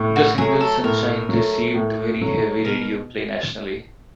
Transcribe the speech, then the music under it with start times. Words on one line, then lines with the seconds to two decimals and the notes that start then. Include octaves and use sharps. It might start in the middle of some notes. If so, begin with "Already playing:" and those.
The single "Sunshine" received very heavy radio play nationally.
Already playing: A2
0.16 F#4
0.38 F#3 A3 G#4
0.61 A4
0.84 A2 A#4
1.29 F#3 A3
1.74 A2
2.20 F#3 A3
2.65 B2 A#4